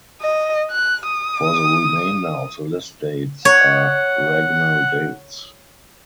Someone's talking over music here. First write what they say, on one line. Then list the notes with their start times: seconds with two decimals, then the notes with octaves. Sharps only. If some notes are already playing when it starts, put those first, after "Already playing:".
For the remainder of the list dates are regnal dates.
0.21 D#5
0.71 F#6
1.07 D#6
3.45 C#5 F#5